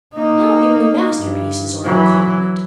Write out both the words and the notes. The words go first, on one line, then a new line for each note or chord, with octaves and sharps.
Now even the masterpieces are incontinent.
A#3 D#4
G2
E3 F#3